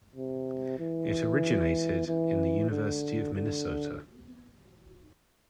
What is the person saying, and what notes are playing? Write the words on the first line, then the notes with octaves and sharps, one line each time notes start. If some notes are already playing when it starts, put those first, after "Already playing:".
It originated in the University of Minnesota.
C3
E3
E3
D3
D3